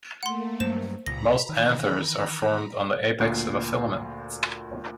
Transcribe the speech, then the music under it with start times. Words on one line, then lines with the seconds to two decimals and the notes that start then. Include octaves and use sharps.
Most anthers are formed on the apex of a filament.
0.23 A3 A#3 F#5 C6
0.60 G2 F#3 C5 E7
1.06 C#2 A#2 A#5 B5 A#6
1.49 D#3 E3
3.20 D2 A#2 C7